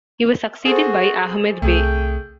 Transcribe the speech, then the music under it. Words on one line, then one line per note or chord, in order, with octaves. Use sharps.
He was succeeded by Ahmed Bey.
F#4 G#4 A4 C5
C2 A3 G#4 G5